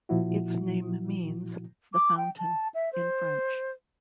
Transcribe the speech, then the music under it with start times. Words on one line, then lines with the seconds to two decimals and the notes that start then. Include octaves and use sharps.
Its name means "The Fountain" in French.
0.09 A#2 F3 E4 F#4
1.94 D6
2.17 G5
2.38 A5
2.74 E5
2.93 C5